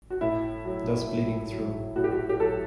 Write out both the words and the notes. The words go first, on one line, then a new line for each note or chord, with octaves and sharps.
Thus Bleeding Through.
F#4
A2 E4
F#3
A2
F#3
A2 F#4
G4
F#4
G4
F#3 A4